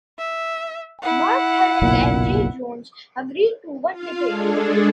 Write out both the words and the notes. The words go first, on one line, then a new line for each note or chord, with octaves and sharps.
Mark Herring and Jay Jones agreed to one debate.
E5
E4 F#5
F#1 B1 A#2
F4 F5
G#3 D4 G#4 A4